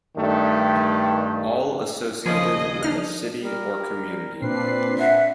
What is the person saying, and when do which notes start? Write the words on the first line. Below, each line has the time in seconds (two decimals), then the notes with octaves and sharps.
All associated with a city or community.
0.16 G2 D#3 A3
2.26 D#2 C#3 F3 G#4 D#5
2.83 D4 D#4 F6
3.43 G3 A#4
4.42 A#2 C4 D4 B4 C7
4.99 E5 F#5